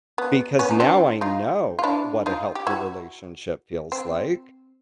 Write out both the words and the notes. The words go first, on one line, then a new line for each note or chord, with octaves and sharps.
Because now I know what a healthy relationship feels like,
B3
B3 C#4
D#4
C4 D4
D#4 F4
F4
D4 E4
D#4 F4
G4
E4 F#4
C4